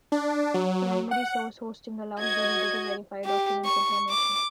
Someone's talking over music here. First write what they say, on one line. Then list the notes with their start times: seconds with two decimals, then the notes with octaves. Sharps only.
Primary-source hosting allows the reader to verify a document's information.
0.12 D4
0.54 F#3
1.11 F#5
2.19 F#4 D#5 G#6
3.25 G4
3.66 C#6
4.10 D6